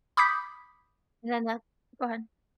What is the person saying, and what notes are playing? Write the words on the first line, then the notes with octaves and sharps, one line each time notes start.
And then that go ahead.
B5 D6 D#6 G6 B6